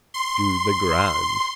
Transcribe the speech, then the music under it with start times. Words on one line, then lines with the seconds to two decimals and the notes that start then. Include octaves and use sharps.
Do the grand.
0.14 C6